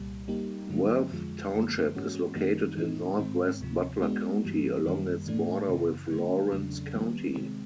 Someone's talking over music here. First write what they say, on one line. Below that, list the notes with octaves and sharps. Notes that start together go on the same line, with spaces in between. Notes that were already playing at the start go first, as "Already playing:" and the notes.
Worth Township is located in northwest Butler County, along its border with Lawrence County.
Already playing: C2 A#2 G3
G3 A#3 D#4 G4
G2 D3 F#3
F2 D3 F3 G#3
F#2 D3 F3 G#3
G#2 E3 G#3 C#4 F#4
F#2 D#3 G3 A#3 D#4
A2 E3 A3 C4 D#4
G#2 D#3 G#3 C4
D2 C3 F3
G#3 B3 D4 F#4
G2 E3 G3
F#2 D#3 G3 A#3
A2 E3 A3 D4
F#2 C#3 E3
D3 F#3 A3
E2 C#3 F#3 A3 D4
D#3 G3 B3
C3 D#3 G#3 C4